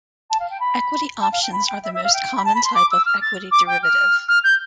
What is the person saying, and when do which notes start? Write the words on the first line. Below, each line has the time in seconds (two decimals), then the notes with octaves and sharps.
Equity options are the most common type of equity derivative.
0.30 A5
0.39 F5
0.50 G5
0.60 B5
1.21 A5
1.32 F5
1.42 G5
1.52 B5
1.68 G5
1.83 E5
1.94 E5
2.03 F5
2.13 G5
2.36 B5
2.45 A5
2.54 B5
2.64 C6
2.74 D6
2.91 E6
3.05 F6
3.21 A6
3.51 D6
3.67 G5
3.83 F6
4.28 F6
4.43 G6